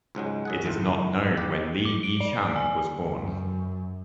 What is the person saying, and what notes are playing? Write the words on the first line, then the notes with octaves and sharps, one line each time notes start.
It is not known when Li Yichang was born.
C#2 G#2 F#3 G#3
F#2 G#4 F#5
G#1 C#2 A2
G4 B4
D6
D7
D5
G#5
F#2